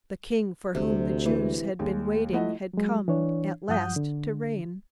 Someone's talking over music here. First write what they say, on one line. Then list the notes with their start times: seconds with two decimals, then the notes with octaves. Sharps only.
The king for whom the Jews had been waiting had come at last to reign.
0.75 D2 C3
1.26 E3
1.79 D#2 G#3
2.33 F3 A3 E4 D#5 F#5
2.73 F#3 G#3
3.08 E3 D4 C#5
3.69 G2 F3 F#5 D#6 G6
3.96 D3